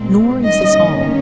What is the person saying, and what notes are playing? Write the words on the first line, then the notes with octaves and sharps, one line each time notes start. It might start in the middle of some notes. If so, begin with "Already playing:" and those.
Nor is this all.
Already playing: A#2 G#3 C4
G2 D#3 G3 A#3 C#4 D#5